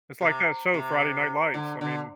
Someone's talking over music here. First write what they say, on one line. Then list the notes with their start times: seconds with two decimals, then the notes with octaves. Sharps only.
It's like that show, Friday Night Lights, I mean,
0.21 C3
0.74 C3
1.54 D3
1.81 D3